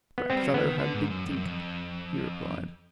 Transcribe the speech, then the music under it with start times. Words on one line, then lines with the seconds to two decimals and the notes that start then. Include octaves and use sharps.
"Black fellow hab big tink," he replied.
0.18 B3
0.30 G#3 C4
0.36 G3
0.42 F#3
0.54 E3 B3
0.66 D#3
0.78 D3
0.94 G#2
1.10 F#2
1.26 F2
1.36 F#2
1.46 F2